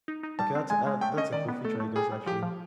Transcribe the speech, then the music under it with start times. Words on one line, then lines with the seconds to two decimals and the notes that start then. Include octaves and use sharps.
Okay, uh, that's a that's a cool feature, I guess, actually.
0.08 D#4
0.23 D#4
0.39 G3 A5
0.55 C4
0.70 G#3 G#5
0.86 G#3
1.01 A3 G5
1.17 C#4 D#5
1.33 D#3 D5
1.48 B3
1.65 A3 A4
1.80 A3
1.96 G3 G#4
2.12 G3
2.26 F3 G4
2.43 F3